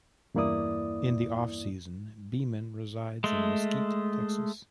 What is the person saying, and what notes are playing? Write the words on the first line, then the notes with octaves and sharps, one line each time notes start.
In the off-season, Beamon resides in Mesquite, Texas.
E2 G2 A#3 E4 D5 D#6
G#3 A3